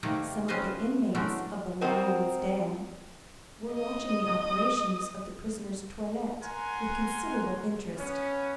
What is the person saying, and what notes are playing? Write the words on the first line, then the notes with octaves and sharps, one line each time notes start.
Some of the inmates of the "Lions' Den" were watching the operations of the prisoner's toilet with considerable interest.
C3 D#3 A3 A#3 G4
C4 C#4 B4 C5 D#5 F5
E3 F#3 G#3 A3 C#4 D4
C4 F4 F#4 A#4 C5 D#5
D#5 D#6
A#4 F#5 G#5 C6
B3 C#4